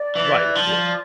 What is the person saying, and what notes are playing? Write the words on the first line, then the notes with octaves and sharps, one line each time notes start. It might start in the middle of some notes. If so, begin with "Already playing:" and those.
Right, of course.
Already playing: D5
E3
F3